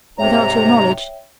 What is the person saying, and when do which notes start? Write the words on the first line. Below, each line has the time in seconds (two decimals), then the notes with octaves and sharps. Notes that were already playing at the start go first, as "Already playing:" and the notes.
"Without your knowledge?"
0.18 G#2 C3 C#5 E5 G5 A#5